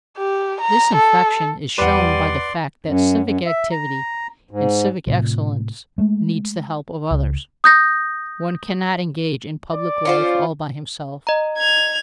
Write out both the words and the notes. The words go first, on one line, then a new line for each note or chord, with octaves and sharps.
This infection is shown by the fact that civic activity and civic excellence need the help of others; one cannot engage in public life all by himself.
G4
A#5
A4
E2 G3 B4 D5 F#5 C6 D#7
F#2
F#2
E5
A#5
G#2
A2 C3 F3
G#3 A3
C#2
D#6 G6 A#6
D5
C#4 F4 C5
D#5 A#5
G#6 F7